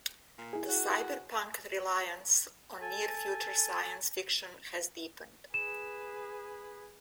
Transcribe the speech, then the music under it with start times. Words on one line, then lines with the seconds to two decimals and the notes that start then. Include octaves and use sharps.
The cyberpunk reliance on near-future science fiction has deepened.
0.38 A#2
0.53 E4 G#4
0.68 F#4
2.81 A4 G#5
5.54 G#4 B4 E7